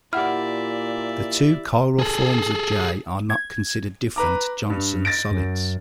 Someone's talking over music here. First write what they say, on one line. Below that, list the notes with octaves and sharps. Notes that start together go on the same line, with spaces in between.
The two chiral forms of "J" are not considered different Johnson solids.
A#2 E4 G4 D5 E5 F#5 F6
G#4 A4
G#6
B4 A#5 D6
G2
A6 A#6 D7
F#2